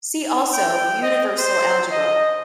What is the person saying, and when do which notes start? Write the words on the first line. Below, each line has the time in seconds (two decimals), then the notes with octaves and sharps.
See also Universal algebra.
0.53 G5
1.02 D#5
1.38 C5
1.91 D#5